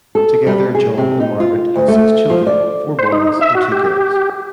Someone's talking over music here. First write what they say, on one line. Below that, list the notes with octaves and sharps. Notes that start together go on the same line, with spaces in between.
Together John and Margaret had six children, four boys and two girls.
A4
G3
G#4
C3
D#4
F4
D2
A3
F3
D5
C5
D#4
E5
F#4
G4